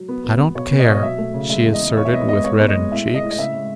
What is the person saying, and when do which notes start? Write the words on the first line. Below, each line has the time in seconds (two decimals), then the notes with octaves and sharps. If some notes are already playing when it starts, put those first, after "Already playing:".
"I don't care," she asserted with reddened cheeks.
Already playing: F#3
0.08 B3
0.24 B3
0.40 B3
0.55 B2 C#5
0.71 B3
0.79 D#5
0.87 B2 C#5
0.95 D#5
1.03 F#3 E5
1.18 A3
1.34 C#3
1.50 G#3 E5
1.66 E2
1.73 D#5
1.82 G#3
1.97 A2 C#5
2.05 E5
2.13 B3 D#5
2.29 G#3 D#5
2.44 B3 C#5
2.60 B3
2.68 D#5
2.76 G#3
2.91 A2 E5
3.06 G#3
3.14 D#5
3.23 A2
3.31 D#5
3.38 C#3 E5
3.54 G#3